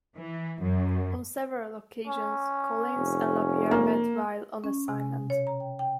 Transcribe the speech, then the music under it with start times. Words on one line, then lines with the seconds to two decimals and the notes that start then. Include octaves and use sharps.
On several occasions, Collins and Lapierre met while on assignment.
0.16 E3
0.61 F#2
2.07 C#4
2.96 F1
3.71 A#3
4.64 C#4
4.88 C3
5.00 G#5
5.12 B2
5.30 C#5
5.47 A#5
5.60 G5
5.79 G5